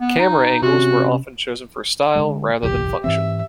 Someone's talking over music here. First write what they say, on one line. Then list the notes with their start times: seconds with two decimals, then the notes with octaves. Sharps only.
Camera angles were often chosen for style rather than function.
0.01 B3
0.19 D#4
0.62 C3 C#4 F#4
2.15 D3 E3 G#3
2.63 F#1 B1 E2 G4
3.04 G#2 E3 C4 E5